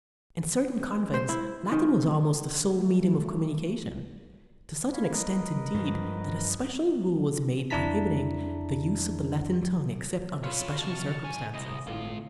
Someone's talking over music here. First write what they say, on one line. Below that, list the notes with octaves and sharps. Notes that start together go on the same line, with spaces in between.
In certain convents Latin was almost the sole medium of communication,--to such an extent, indeed, that a special rule was made prohibiting "the use of the Latin tongue except under special circumstances."
C5
E4
D#3
G3 A3
C#5 F5 B5
A#4 B4 D#5
G2 F3
F2 D4 E4 A5 A#5 B6
F4 C#5 B5
C3 F#4 A5 C#6 F6
G#2 G#5
C2 D#5
G#1 C#2 A2 F4